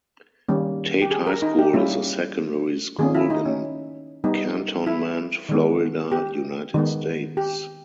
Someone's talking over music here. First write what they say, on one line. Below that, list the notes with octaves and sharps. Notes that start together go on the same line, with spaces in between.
Tate High School is a secondary school in Cantonment, Florida, United States.
D#3 G3 A#3 C#4
G4
G#4
A#4
D#4
G4
G3 A#3 C#4 E4
D#3 A#3 C#4 G#4
E4
D#4
C#4
G3 B3 D#4
E4
D#3 G#3 B3
G4
D#3 G#3 B3
G4